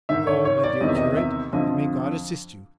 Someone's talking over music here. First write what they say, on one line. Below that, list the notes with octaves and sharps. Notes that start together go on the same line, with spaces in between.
"Go, my dear curate, and may God assist you!"
G#2 D#3 E5
C#5
C#5
D5
E2 C3 D#3 D#5
E5
D#5
D#5
E5
F2 D3 F3 D#5